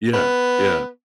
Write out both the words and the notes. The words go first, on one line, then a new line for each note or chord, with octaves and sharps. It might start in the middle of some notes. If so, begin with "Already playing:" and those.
Yeah. Yeah.
B3